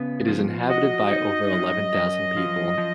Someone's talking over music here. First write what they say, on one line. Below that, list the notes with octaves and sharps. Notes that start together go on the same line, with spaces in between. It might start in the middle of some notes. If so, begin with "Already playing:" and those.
It is inhabited by over eleven thousand people.
Already playing: C#3 B3
F3
F#4 D#5
D#4
F#2
F#2
F3
F3